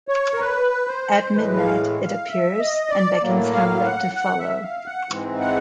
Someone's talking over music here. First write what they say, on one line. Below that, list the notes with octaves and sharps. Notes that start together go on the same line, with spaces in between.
At midnight, it appears, and beckons Hamlet to follow.
C#5
A#4
B4
C5
A2 E3 G#3 B4
F5
F5
E5
D#5
D5
A2 F#3 A#3
F5
F#5
F#5
E5
F5
F#5
G#2 E3 G#3 C4
F#5